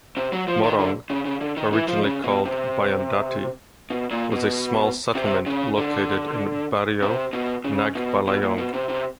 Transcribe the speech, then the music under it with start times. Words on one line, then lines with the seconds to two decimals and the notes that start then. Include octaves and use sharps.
Morong, originally called "Bayandati", was a small settlement located in Barrio Nagbalayong.
0.17 C3
0.32 F#3
0.48 F3
0.63 D#3
0.79 D3
1.10 C#3
1.25 C#3
1.41 D3
1.57 D#3
1.73 E3
1.88 F3
2.04 C#3
2.24 B2
2.45 C3
3.90 B2
4.11 A#2
4.32 B2
5.15 C3
5.46 C#3
5.77 D3
7.02 C3
7.33 B2
7.64 C#3
7.95 B2
8.27 B2
8.43 A#2
8.58 B2
8.74 C3
8.89 C3